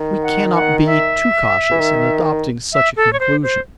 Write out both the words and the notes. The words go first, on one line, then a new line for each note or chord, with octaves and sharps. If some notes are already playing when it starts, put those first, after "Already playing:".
We cannot be too cautious in adopting such a conclusion.
Already playing: D#3
F#5
F#5
E5
E3
D#3
E5
A4
C#5
C5
C5